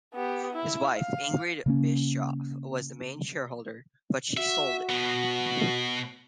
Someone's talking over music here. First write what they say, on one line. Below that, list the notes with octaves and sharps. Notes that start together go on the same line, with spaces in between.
His wife Ingrid Bischoff was the main shareholder, but she sold it.
B3 G4
E4
F5
C#3 A#3 C#4
F#4 E5
B2 B3